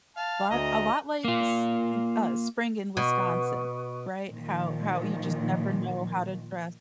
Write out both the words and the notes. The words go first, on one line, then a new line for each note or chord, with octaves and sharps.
but a lot like s m uh, spring in Wisconsin, right? How how you just never know how to dress,
F5 A5
D2 D#5 A#5
A#3 F4
B2
A#2 D#3 F3